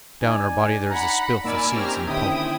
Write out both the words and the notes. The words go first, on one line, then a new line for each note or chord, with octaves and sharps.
Down her body there was a spilth of seeds and pulp.
D#4 D5 G#5
F#5 A#5 B5
A#3 D#4 A#4 D5 G#5 B5 E6
C4 C#4 G4 A#5 F6
D3 D#3 C4 C#4 E4 D#5 G5 D#6